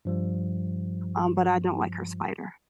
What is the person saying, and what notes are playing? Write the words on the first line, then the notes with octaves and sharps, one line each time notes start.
um, but I don't like her spider.
G2 F3 G3